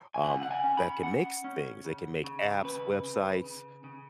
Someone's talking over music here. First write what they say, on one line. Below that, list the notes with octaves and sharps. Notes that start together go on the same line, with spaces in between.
um, that can mix things. They can make apps, websites,
G#5
C#3 F#5
F#5
G#5
C#4
B5
C#4 F#5
C#4
C#3
C#3
C#3 B4
C#3
C#3
C#3